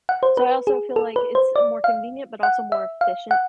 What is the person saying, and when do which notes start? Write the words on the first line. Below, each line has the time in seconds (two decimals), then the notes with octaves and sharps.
so I also feel like it's more convenient, but also more efficient
0.09 F#5
0.23 C5
0.37 B4
0.67 G#4
0.96 A4
1.16 B4
1.35 C5
1.56 D5
1.84 F5
2.43 F#5
2.72 E5
3.01 F5
3.31 F#5